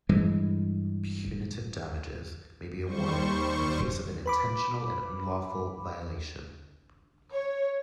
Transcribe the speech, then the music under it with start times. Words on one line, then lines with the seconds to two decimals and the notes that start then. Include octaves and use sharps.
Punitive damages may be awarded in case of an intentional and unlawful violation.
0.09 G2 E3 G#3
2.85 D#2 G3 C5 C#6
4.26 B4 B5 D6
7.32 C#5